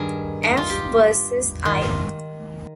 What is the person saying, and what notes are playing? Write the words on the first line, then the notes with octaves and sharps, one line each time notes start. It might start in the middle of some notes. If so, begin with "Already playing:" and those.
F. versus I.
Already playing: G2 D#3 G#4 A#4
D#4
F4
G4
D#3 F4